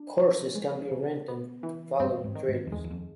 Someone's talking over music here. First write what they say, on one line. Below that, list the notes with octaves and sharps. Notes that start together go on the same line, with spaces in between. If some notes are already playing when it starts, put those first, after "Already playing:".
Horses can be rented to follow the trails.
Already playing: D4
F3
G#3
C#3
B3
E3
G2 C4
G#2
D#3
G#2
F2
E2 G#3
E2
F2